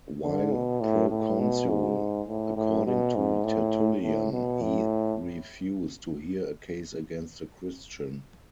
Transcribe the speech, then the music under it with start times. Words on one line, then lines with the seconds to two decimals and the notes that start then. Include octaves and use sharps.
While proconsul, according to Tertullian he refused to hear a case against a Christian.
0.23 D3
0.52 B2
0.81 A2
1.10 A2
1.40 B2
1.69 G#2
2.28 A2
2.56 A2
2.87 B2
3.15 G#2
3.44 A2
4.03 A2
4.33 B2
4.62 A2